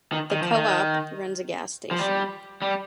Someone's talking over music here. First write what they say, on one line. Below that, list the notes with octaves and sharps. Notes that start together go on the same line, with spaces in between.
The co-op runs a gas station.
D#3
D#3
F3
D#3
F3
G3
G3